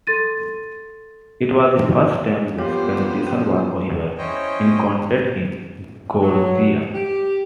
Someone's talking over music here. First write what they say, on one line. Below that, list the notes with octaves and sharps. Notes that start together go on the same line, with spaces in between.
It was the first time this condition was ever encountered in Georgia.
A4 C6 A6 D#7
A#3 B3 F4 G4 C5 C#5
F3 C#4
C#4 E4 C5 C#5 D#5 G5
F#3
G4